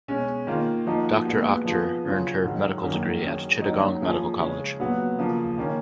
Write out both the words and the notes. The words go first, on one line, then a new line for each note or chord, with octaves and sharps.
Doctor Akhter earned her medical degree at Chittagong Medical College.
B2 G#3 C#4
D#3 A#3 F4
F3 A#3 D#4 F#4
A#2 G#3 B3 F#4
F3 B3 F4 G#4
C#3 F#3 C#4 F4
G#2 D#3 F#3
F#2 D#3 F#3 A#3
D#3 F#3 C#4 G#4
D#3 F#3 A#3 D#4 F#4
F3 A#3 C#4 G#4
C#3 G#3 C#4
A#2 F#3 B3 F#4
C#3 F3 A#3
D#3 A#3 C#4